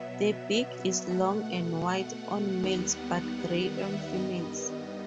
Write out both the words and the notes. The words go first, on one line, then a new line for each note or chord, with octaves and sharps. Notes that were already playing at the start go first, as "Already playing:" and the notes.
The beak is long and white on males but grey on females.
Already playing: B2 F#3 B3 E5
B2 A3 F#5
D#2 D#3 G3 B3
F#5
E5
G2 D#3 G3 B3 D#5